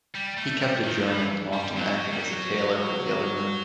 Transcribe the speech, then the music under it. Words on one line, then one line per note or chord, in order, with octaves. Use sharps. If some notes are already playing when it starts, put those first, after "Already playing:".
He kept a journal and often acted as a tailor for the other men.
G3
A3
G3
D#3
F3
E3
G3
F#3
G3
F#3